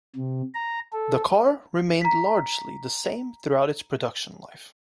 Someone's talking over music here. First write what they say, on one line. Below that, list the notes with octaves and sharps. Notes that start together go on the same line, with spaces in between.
The car remained largely the same throughout its production life.
C3
A#5
A4
A#5 B6